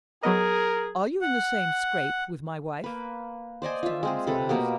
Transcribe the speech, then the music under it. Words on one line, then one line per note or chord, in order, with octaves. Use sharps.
"Are you in the same scrape with my wife?" Mr. Romsey asked.
F#3 B3 G#4 A#4 D#5
F#5
A#3 B4
C5 D5 D#5 G#5
F4 E5
G#3 C4 G#4
C3 A4 B4
B2 A#3 B3 G4